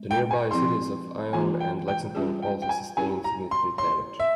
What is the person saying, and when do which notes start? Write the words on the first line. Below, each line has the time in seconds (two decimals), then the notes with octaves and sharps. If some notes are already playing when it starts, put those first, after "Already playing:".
The nearby cities of Ione and Lexington also sustained significant damage.
Already playing: G#3 C4
0.11 G5
0.31 G#5
0.51 F3 C4 E4 G#4 C6
1.33 E3 A#3 F4 G#5
1.60 G5
1.88 G5
2.15 G3 C#4 F4 G#4
2.42 G5
2.62 G5
2.69 G#5
2.96 C#4 E4 G4 A#4 C#5 G#5
3.24 A#5
3.51 C6
3.78 A#3 E4 A#4 C#5 C6
4.20 E5